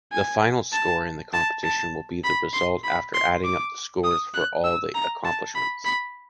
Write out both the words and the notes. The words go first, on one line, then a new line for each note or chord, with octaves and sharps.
The final score of the competition will be the result after adding up the score for all the accomplishments.
G#5
A5
A5
A5
B5
C6
B5
C6
D6
D#6
F#6
E6
A#5
A5
B5
B5